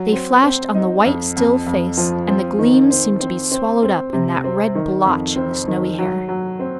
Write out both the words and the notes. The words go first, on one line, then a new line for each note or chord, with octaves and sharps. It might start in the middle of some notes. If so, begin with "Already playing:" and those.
They flashed on the white, still face, and the gleams seemed to be swallowed up in that red blotch in the snowy hair.
Already playing: F#3
C4
C4
D#4
F2
F2
F2
F3
C4
D#3
C4
C4
C4
C4
C3
C4
D#3
F2
C4
D#3
F#3
F#3
C4